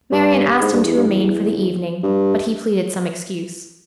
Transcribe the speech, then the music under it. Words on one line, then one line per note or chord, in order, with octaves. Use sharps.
Marian asked him to remain for the evening, but he pleaded some excuse.
G2
G#2
G2
E2
G2
E2
G2